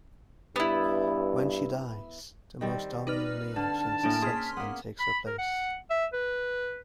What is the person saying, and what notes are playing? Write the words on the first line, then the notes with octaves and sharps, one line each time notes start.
When she dies, the most dominant male changes sex and takes her place.
G2 B3 E4
D#3 G3 C4
D#4 B4 D5 F6
D3 A5
A2 A#3 C#4 D4
G#4 C6 F6 B6
A#3 B3
B5
A#4
F#5
E5
B4